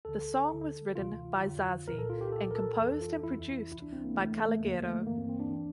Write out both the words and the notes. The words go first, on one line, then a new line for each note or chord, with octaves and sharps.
The song was written by Zazie and composed and produced by Calogero.
D2 D3 A4
D2 D3
D2 C3 E3 F4
F2 D3
C2 A#2 A#4
A4
F4
G4
C2 A#2 A4
A#4
A4
F2 E3 A4
F4
F2 E3 E4
C2 C3 E3 E4
D4
C4
A#3
D2 C3 E3 A3
A3
A3
E2 D3 A#3
A3
G2 E3 A#3
C4
C4
D4
E3